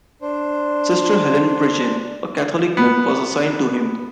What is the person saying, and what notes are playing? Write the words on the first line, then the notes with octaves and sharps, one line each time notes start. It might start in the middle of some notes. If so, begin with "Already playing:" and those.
Sister Helen Prejean, a Catholic nun, was assigned to him.
D4 C5
B3